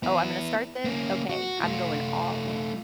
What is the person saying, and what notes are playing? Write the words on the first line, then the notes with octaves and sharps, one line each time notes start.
"Oh, I'm gonna start this? Okay. I'm going all in."
B3 E4
A#3 C#4
F#4
A3 F4